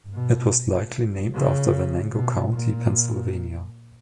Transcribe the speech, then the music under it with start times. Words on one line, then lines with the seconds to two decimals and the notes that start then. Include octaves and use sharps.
It was likely named after Venango County, Pennsylvania.
0.14 B2
1.34 C#3
2.13 B2
2.53 A#2